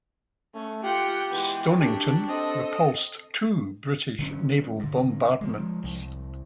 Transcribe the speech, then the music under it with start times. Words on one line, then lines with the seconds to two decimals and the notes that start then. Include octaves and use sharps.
Stonington repulsed two British naval bombardments.
0.54 A3 C#4
0.83 F4 G4 F#5 G5
1.31 E3 G#3 B3
1.79 F#3 D4 G4
2.28 C4 A4 D#5
4.19 D3 F#3 C#4
4.79 G2 D3
5.41 F3 G#3
5.84 C2